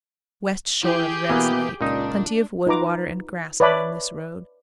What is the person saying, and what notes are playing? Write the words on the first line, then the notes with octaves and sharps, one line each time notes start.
West shore of Rhett's Lake.--Plenty of wood, water, and grass along this road.
E3 G4 G#4 G6
B2 E3 A#3 B3
C#2 A#2 D4 D#4
D#4 F4 B4 A#5 D6
B4 C#5 D5 E5 A5 B5